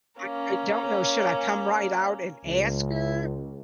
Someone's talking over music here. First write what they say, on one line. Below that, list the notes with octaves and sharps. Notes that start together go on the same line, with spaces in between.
I I don't know, should I come right out and ask her?
A#3 C#4
C#2